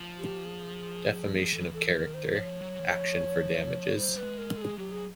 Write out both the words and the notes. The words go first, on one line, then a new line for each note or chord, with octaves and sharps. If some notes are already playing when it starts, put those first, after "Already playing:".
Defamation of character: action for damages.
Already playing: F3
G4
G#4
F3
E3 A4
A4
E3
A#4
D#3
C5
F3 C#5
F#3
E3
F3
G3 C5
F#3
G3 B4
G#3
A#4
G#3
A4
G#4
F#3 G4
G#4